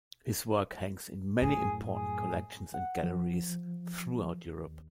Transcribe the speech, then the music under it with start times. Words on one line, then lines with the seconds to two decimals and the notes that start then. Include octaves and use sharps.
His work hangs in many important collections and galleries throughout Europe.
1.42 F#2 A2 G#4
1.94 G#4
2.74 F#5
3.03 F3
4.64 D#2